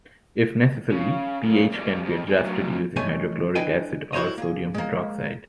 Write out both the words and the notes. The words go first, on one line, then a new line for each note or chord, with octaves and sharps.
If necessary, pH can be adjusted using hydrochloric acid or sodium hydroxide.
C#3
F#2 C#3
E2 G3
F2
F2 E3
A2 F#3
C3 E3 A3 D#4 C#5 G#5
D4 E4 B4 D#5 G5 G#5
E4 F#4 C5 C#5 D#5
A#3 G#4
G#3 A#3